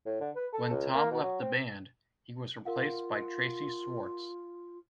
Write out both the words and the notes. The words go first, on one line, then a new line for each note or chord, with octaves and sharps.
When Tom left the band, he was replaced by Tracy Schwarz.
A2
D3
B4
A4
C#2
A#3
B2
F#3
C4
F4 A#4 F5 F#5